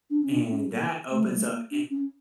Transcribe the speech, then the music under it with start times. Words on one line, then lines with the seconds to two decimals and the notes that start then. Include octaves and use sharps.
And, that opens up eh
0.10 D4
0.22 C#4
0.31 D4
0.44 A#3
0.51 C#4
0.71 A#3
1.11 A3
1.24 G3
1.36 A3
1.51 A#3
1.71 D4
1.90 C#4